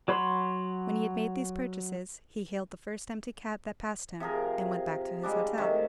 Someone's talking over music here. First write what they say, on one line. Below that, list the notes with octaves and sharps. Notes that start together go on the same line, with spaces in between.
When he had made these purchases, he hailed the first empty cab that passed him, and went back to his hotel.
F#3 C#5 B5 C6
C3 F3 G#4 A#4
G3 G#3 D4
C3 D#3 A3